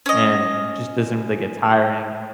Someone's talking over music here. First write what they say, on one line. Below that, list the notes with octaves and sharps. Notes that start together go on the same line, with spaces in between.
and it just doesn't really get tiring.
C#4 D#5